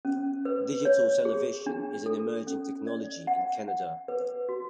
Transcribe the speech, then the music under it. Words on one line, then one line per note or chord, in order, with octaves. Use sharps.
Digital television is an emerging technology in Canada.
C#4
B4
C#5
G#4
D4
A4
C#4
D5
F#5
F#5
B4
F#4